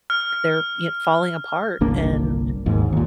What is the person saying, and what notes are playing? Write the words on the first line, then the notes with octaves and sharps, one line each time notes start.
they're y falling apart, and
F6
G1 C2 A#3 D4
G#1 D#2 G#2
D#2 A#2